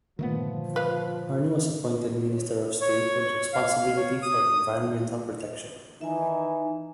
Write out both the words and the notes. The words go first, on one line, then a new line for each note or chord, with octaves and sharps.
Harney was appointed Minister of State with responsibility for Environmental Protection.
G2 A#2 D3 D#3 F3 A3 B3
B4 F5
C#5
C#5
F5
C#5
D#6
D#3 E3 D#4 E5 G#5